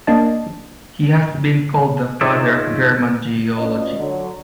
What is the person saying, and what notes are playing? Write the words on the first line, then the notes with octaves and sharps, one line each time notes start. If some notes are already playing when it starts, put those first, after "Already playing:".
He has been called the "father of German geology".
A#3 D4 D#5 A5
D#4 F4 G#4 C#5 D5 E5
C#4 D4 F4 F#4 B4 D#5
D3 F#3